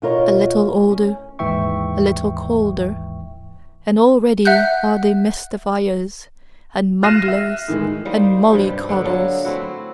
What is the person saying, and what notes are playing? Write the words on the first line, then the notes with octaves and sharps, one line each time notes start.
A little older, a little colder: and already are they mystifiers, and mumblers and mollycoddles.
B2 E4 F4 A#4 C#5
C#4
D#2 G#2 E3 E5 G5 C#6
E5 F#5 F#6 G6
F6 F#6 A#6 C7 D#7 E7
E5
A2 D#3 E3 G#3
G3 A#3 D#4 C5
G2 C3 G3 G4
D3 B3
F#3 A#3 A4
A3 C4 E4 F#4